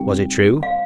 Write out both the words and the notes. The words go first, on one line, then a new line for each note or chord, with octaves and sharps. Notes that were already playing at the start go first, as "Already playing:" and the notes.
"Was it true?"
Already playing: C3 G3 C4 D#4 G4 G5
F5